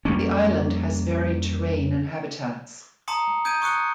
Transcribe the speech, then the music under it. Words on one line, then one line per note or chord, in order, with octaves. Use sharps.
The island has varied terrain and habitats.
F2 G3 A#3 C#4
A5 A#5 C6 D#6 C#7
D#6 G6 G#6 D7 D#7
C#6 D#6 F#6 C#7 G7